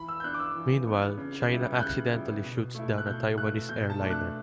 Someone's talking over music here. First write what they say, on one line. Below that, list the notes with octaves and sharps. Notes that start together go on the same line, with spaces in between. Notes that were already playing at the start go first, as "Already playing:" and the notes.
Meanwhile, China "accidentally" shoots down a Taiwanese airliner.
Already playing: E3 B5
E6
G6
B3 D4 F#6
D6
E6
E3
B3 D4
C#3
G3 B3 E4
G6
C#3 F#6
G3 B3 E4
B2
A3 E4
F#6
B2 G6
A3 E4 F#6
B2 G6
A5
A3 D4
F#6